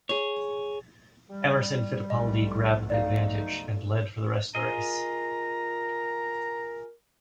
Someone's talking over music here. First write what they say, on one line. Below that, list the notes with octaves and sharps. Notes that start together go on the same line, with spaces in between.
Emerson Fittipaldi grabbed the advantage, and led for the rest of the race.
G#4 C#5
G3
B1 F2 A3 D#5
D#4 D5 F5
F4 G#4 A#4 D#5 A#5